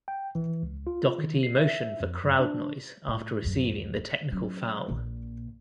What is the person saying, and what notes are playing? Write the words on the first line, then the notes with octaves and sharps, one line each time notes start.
Doherty motioned for crowd noise after receiving the technical foul.
G5
E3
C#2
F4
D#3
C7
E5
F2
F#2
D4
A2
D1 F#2
F#3 C#4
A#1 A#2